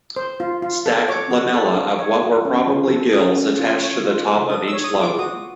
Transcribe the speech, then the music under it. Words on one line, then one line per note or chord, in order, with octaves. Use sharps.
Stacked lamella of what were probably gills attached to the top of each lobe.
C5
F4
F4
A4
C#5 D6
F#4
A4
D4
C#5
F#4
C#4
F4
A4
C#4 D#6
C#4
F4
C#5
F4
A4
D4 D#6
E6
C#5
D#6
F4
D6
F#4 D#6